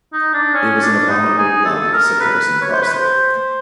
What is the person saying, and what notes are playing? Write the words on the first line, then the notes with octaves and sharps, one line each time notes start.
"It was an abominable lie," said Harrison crossly.
D#4
D4
C#4
D4
D#4
G#4
A4
A#4
B4
C#5
C5
B4
C5